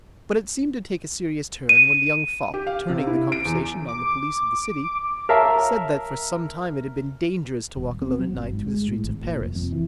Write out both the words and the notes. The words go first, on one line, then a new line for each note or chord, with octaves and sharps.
But it seemed to take a serious turn when the young fop, turning the conversation on the police of the city, said that for some time it had been dangerous to walk alone at night through the streets of Paris.
D#7
G4
F5
C3
E4
D7
E2
D6
A#4 C#5 E5 F5 A5 A#5
D#1
C4
F#3
G1
G#2
G#3
A2
G#1
A#2
F1
F2
E3